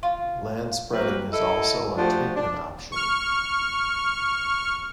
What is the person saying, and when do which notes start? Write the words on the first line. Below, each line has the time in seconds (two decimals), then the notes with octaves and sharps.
Land spreading is also a treatment option.
0.03 F4
0.93 F#3 A#3 C4 A#4 B4
1.32 E4 A4 D#5
1.97 F3 A3 D4 F#4 G4 C5
2.36 D4
2.92 C#6 F6